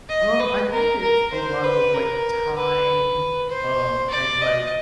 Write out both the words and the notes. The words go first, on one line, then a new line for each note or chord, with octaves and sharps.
Um, I think it's a lot of, like, time, um, and, like,
D#5
B4
A#4
A#4
C5
B4
A#4
B4
C5
D5
D#5